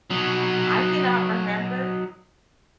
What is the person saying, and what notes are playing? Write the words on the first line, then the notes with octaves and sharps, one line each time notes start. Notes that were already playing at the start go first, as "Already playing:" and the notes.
I cannot remember.
F#3 D#4